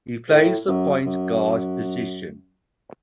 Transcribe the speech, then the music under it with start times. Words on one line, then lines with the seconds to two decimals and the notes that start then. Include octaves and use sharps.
He plays the point guard position.
0.30 A2
0.68 F#2
1.05 F#2